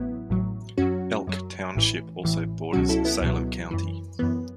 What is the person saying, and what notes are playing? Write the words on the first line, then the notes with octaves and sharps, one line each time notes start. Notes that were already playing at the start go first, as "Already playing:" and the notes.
Elk Township also borders Salem County.
Already playing: A1 A2 F#3 B3 E4
A1 A2 F#3
F#2 F#3 C#4 F#4
F#2 F#3
A1 A2 E3
A1 A2 E3
C#2 B2 F#3 C#4 F#4
E4 A4
B3 E4
C#2 B2 F#3 B3
F#2 E3
F#2 E3 B3